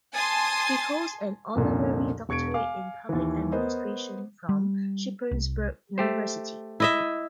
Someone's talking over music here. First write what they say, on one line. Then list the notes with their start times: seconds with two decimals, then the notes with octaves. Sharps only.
He holds an Honorary Doctorate in Public Administration from Shippensburg University.
0.14 G#5 A5 C6 D#6 A6
1.55 C2 F2 A#2 D3
2.29 E1 C#6 G#6 C#7 D7
2.54 F5 G#5 D6
3.09 D#2 E3
3.52 B3 A#4 C5 D#5
4.49 G3
5.31 C2
5.98 A3 G4 C5
6.80 E4 D#5 E5